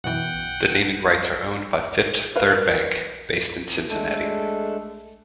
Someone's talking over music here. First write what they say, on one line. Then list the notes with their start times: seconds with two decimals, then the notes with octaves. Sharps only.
The naming rights are owned by Fifth Third Bank, based in Cincinnati.
0.04 F#2 B2 E3 F#5 G5
2.36 F#4 A#4 B4 F5
3.89 G#3 A3 D4 A4